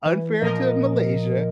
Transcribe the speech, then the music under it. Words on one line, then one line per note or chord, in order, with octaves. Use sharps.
unfair to Malaysia,
E3
A#2 F3 A#4 D#5